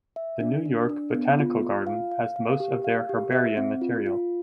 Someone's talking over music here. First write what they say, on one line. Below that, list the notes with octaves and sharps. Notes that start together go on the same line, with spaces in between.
The New York Botanical Garden has most of their herbarium material.
E5
D4
D4
D4
B3
F4
F4
F5
F5
F5
G4
F5
G4
E5
C4
F4
F4